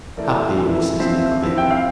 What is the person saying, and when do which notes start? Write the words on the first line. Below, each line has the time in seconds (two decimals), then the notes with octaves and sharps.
Happy Mrs Nickleby!
0.17 E3 A3 E4 A#4 D5
0.59 E3 A3 E4
1.00 F3 C4 E4 C5 E5
1.41 F3 C4 E4
1.58 G5
1.71 F5